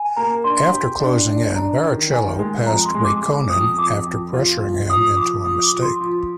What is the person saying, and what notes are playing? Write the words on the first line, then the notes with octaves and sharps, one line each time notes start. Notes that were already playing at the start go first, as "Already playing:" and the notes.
After closing in, Barrichello passed Räikkönen after pressuring him into a mistake.
Already playing: G#5
A#3 A#5
D4 C6
G4
D4
D4
D4 A#5
D#3
D#3 G#5
G#3
F2 A#5
C6
G#3
D6
G#3 D6
F2 D#6
F2 D6
F2
F4
F3
F3 D#6
F3 D6
F3 D#6
D6
F3
C6
F3